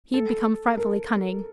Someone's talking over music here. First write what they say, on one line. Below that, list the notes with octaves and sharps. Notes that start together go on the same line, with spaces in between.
He had become frightfully cunning.
A4
A#4